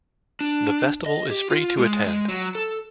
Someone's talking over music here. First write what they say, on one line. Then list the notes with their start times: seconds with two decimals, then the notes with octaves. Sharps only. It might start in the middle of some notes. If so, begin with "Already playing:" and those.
The festival is free to attend.
0.41 D4
1.06 D#5
1.31 G4
1.50 F4
1.79 G#3
2.07 G#3
2.28 F#3
2.55 A4